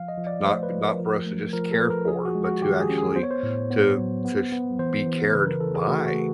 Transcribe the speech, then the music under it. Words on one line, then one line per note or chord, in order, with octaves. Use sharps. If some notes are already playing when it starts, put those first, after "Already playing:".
not not for us to just care for, but to actually to to sh be cared by.
Already playing: F3 F5
D#5
F3
D5
A3 C5
B4
F3
A#4
F3
A3
F3 A#4
A4
F3 B4
A#4
F4 G#4
F#4
G#3
F#4
D#3 G4
G#4
C#4
G#4
B3 C5
C#5
C5
A2
B3
F#3
B3
B3
E3 C5
E3
C#3 B4
A#4
E3 A4
G#4
A3 F#4
F#4
A3